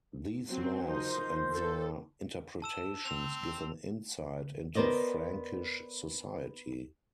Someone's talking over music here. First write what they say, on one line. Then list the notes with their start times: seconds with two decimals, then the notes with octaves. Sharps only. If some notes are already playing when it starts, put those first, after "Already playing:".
These laws and their interpretations give an insight into Frankish society.
0.48 F#3 C4
0.88 F3 D#4 A#4 C5
1.53 A4
2.62 A5 E6 E7
3.05 C4 F7
4.75 B3 A#4 C5 D5 D#5